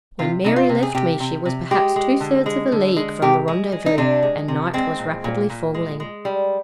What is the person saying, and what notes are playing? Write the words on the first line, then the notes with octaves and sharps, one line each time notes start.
When Mary left me she was perhaps two-thirds of a league from the rendezvous, and night was rapidly falling.
C3 F4
C3 D#4
F4
C3
G#4
C3 G4
C3
C3
G#3 G4
G#3
D3
G#3
D3
G#3
C3 G4
G#3
G#3
D#4
C3 D4
G#3
C3
G#3 C4
A#2
A#2
A#2
G#3
G#3
G3